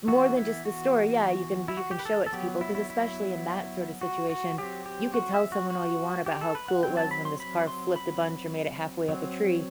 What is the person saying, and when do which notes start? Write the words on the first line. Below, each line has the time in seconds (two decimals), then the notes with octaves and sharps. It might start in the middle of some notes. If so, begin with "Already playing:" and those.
More than just a story. Yeah, you can be you can show it to people, 'cause especially in that sort of situation, you could tell someone all you want about how cool it was when this car flipped a bunch, or made it halfway up a tree,
0.08 E3 B3 F#4
0.37 E4
0.65 F#4
1.68 E4
1.77 F#4
1.91 G4
1.99 B4
2.05 A4
2.26 A4
2.33 F#3 B3 G4
2.61 E4
2.75 E4
2.90 E4
4.01 F#4
4.30 F#4
4.58 F#3 C4 G4
4.86 G4
5.14 F#4
5.34 E5
5.52 F#4
5.70 F#4
6.26 G4
6.41 A4
6.55 B4
6.68 F#5
6.83 F#3 C4 G5
6.97 A5
7.11 B5
7.25 C6
7.40 B5
7.67 C6
7.96 B5
9.09 F#3 C4